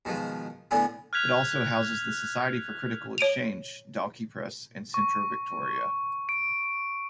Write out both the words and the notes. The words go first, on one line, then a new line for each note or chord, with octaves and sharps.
It also houses the Society for Critical Exchange, Dalkey Press and Centro Victoria.
B2 D#3 F3 G#3
A2 D3 B3 G#4
F6 F#6 G#6 B6 F7
C#5 D7 D#7 F7
C#6
D7